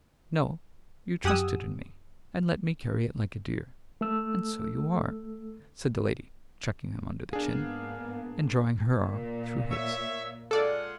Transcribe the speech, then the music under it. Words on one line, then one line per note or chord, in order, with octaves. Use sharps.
'No; you trusted in me, and let me carry it like a dear, and so you are,' said the lady, chucking him under the chin, and drawing her arm through his.
F#2 G4 F#5 G#5 D#6 E6
A3 A4 E6
G#2 A#3 B3 D4 G#4 F5
A#2
C#5 E5
G#3 F4 A4 D5 F#5